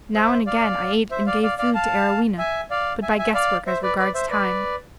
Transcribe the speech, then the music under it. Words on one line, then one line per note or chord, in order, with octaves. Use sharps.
Now and again, I ate and gave food to Arowhena, but by guess-work as regards time.
C5 E5
D5 F5
C5 E5
D5 F5
D5 F5
D5 F5
F5 A5
E5 G#5
D5 F5
E5 G#5
E5 G#5
D5 F5
C5 E5
B4 D5
B4 D5
C5 E5
B4 D5